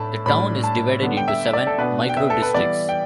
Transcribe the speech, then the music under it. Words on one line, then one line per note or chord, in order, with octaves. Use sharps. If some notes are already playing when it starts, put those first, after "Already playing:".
The town is divided into seven microdistricts.
Already playing: A2 A3 D4 A5 B5
A2 G3 D4 B5
A5
D3 G3 B3 D4
G5
E5
D5
A4
B2 B3 D4 B4
G5
E5
A4
B4
E3 G3 B3 D5
G5